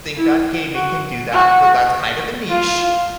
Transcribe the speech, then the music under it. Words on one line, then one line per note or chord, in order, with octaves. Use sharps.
think that gaming can do that, but that's kind of a niche,
E4
F#4
F#4
F4